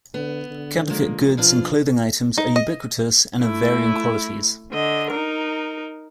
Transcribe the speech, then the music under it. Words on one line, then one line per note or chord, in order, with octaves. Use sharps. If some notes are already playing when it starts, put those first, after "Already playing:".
Counterfeit goods and clothing items are ubiquitous and of varying qualities.
D3 B3
D3
F3 G#3 A#3
B2 F3 D4 F4
D#4
D#5
A3 E4
D3 D#5
D#4 A#4